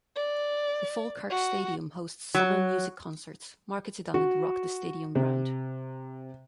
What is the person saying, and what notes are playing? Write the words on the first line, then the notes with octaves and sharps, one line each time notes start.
The Falkirk Stadium hosts summer music concerts, marketed under the "Rock The Stadium" brand.
D5
F#4
F#3
F#4
C3